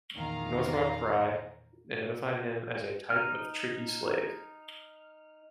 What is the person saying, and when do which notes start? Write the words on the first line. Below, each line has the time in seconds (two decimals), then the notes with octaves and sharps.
Northrop Frye identified him as a type of tricky slave.
0.15 E2 A#2 D#3 F5 A#5
3.10 D#4 F6